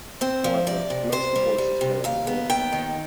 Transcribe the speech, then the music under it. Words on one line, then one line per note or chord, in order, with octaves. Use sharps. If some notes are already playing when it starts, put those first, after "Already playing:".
However, most of Wallace's players adored him.
C4 C5
F3
C3 D5
C3
C3 C5
G3
G3
C3
D#2 F5
B3
D#2 G5
D#3